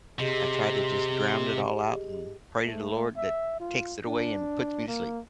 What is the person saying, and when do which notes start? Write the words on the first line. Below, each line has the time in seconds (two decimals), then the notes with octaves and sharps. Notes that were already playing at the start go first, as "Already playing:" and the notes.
I try to just drowned it all out and pray to the Lord that takes it away and puts me to sleep.
0.19 C3 G4 G#4 D#5
2.65 A3
3.17 E5
3.60 F4
4.06 D4
4.88 A#3